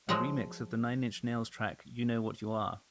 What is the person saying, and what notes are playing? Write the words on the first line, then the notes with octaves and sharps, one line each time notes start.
A remix of the Nine Inch Nails track You Know What You Are?
F3 F#3 G#3 C#5 F#5